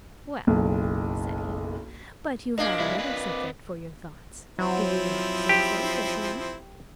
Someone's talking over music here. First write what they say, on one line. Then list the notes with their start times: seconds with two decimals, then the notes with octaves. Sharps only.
"Well," said he, "but you had another subject for your thoughts; did you not say so just now?"
0.47 F#1 B1
2.58 A#2 D4 D#5 F5
2.80 G3 E4
2.98 C4 B4
4.59 F3 F#3 C4 E4
5.49 G4